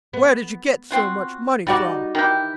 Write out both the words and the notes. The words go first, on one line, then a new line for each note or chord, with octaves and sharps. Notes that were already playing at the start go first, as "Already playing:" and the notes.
'Where did you get so much money from?'
B3
C4 F4 F#4
G3 D#4 F#4 D5
D#3 E3 G4